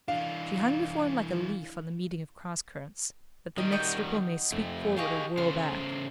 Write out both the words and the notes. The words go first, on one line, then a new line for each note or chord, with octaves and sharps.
She hung before him like a leaf on the meeting of cross-currents, that the next ripple may sweep forward or whirl back.
E3 D4 F5
D#3 G3 D#5
F#4 D#5 G5
F2 A3
G4 G#4 C#5 D#5 F5 C#6
C#3 A4 C5 F6